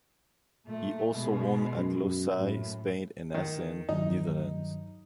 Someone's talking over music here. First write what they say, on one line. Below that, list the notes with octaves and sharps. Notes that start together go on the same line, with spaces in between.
He also won at Losail, Spain and Assen, Netherlands.
A#2 A3
B2 G#3
F#2
A2
D#3
G2 D#3 F#3 D#4